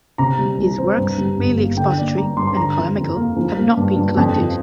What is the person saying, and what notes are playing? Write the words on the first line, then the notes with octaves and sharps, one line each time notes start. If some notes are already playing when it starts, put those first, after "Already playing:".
His works, mainly expository and polemical, have not been collected.
C3 A#5
G3
C2
C4
G2
G3
G1
A#3
D3 G5
A#3 D5
G2 A#5
G2 C6
C6
D3 A#5
F3
F2
A#3
F3
A#3
G2
G2
F2
F3